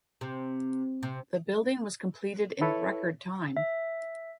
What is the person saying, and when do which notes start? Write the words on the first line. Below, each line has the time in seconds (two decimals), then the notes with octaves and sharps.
The building was completed in record time.
0.21 C3
1.03 C3
2.61 E4 A4 B4 C#5
3.57 E5